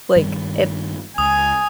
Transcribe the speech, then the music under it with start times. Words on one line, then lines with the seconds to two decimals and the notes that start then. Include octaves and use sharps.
Like, if
0.16 G2 D#3 G3
1.18 C#2 G#5 D#6